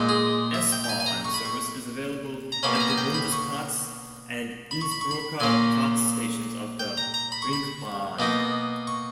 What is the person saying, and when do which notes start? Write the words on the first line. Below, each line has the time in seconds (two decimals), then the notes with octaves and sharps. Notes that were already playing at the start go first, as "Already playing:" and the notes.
S-Bahn service is available at the Bundesplatz and Innsbrucker Platz stations of the "Ringbahn".
Already playing: A#2 G#3 D#4
0.09 G#4
0.54 E5
0.72 G5
0.84 G5
0.89 G#5
1.00 G#5
1.06 A#5
1.25 C#6
1.34 B5
1.45 C#6
2.52 A#5
2.63 B2 A#3 C#4 B5
2.75 G#5
2.80 A#5
2.90 G#5
2.98 G5
3.14 B5
3.32 C#6
4.71 B5
4.81 C#6
4.92 B5
5.01 C#6
5.11 B5
5.40 A#2 A#3 C#4 G#5
6.79 G5
6.97 A#5
7.14 A#5
7.32 B5
7.42 C#6
7.53 B5
8.19 B2 A#3 D#4
8.87 C#6